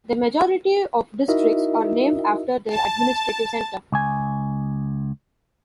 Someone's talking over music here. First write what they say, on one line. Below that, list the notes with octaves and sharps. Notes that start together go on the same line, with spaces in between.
The majority of districts are named after their administrative centre.
D#4 E4 F#4 A#4 D#5 E5
A5
C#2 G#5